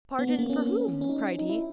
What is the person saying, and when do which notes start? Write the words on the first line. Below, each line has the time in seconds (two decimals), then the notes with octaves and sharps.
"Pardon for whom?" cried he.
0.19 B3
0.29 B3
0.39 A#3
0.50 C#4
1.01 C#4
1.09 D#4
1.39 D#4
1.49 E4